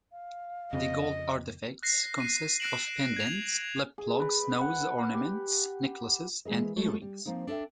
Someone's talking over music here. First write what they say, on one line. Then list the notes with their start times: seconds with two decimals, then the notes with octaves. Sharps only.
The gold artifacts consist of pendants, lip-plugs, nose ornaments, necklaces, and earrings.
0.12 F5
0.73 F2 C#3 C4 D#5
1.83 F#6 A#6 C7
2.20 C7 D#7
2.60 F#6 A#6 C7 D7 E7 F#7
3.16 G#6 F7
3.98 G#4
4.20 B4
4.61 F#5
5.14 G4
6.45 E3 G#3 G#4 A#4 D#5
6.76 G#3 A3 C#5
7.02 G3
7.25 F3 A#3 C4 D#4
7.47 D4 A4 D#5 E5 G5